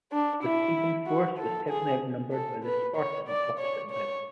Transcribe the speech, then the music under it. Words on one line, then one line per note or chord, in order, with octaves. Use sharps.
The Theban force was heavily outnumbered by the Spartans opposite them.
D4
E4
F#4
A4
G#4
A4
B4
C#5
D5
C#5
C#5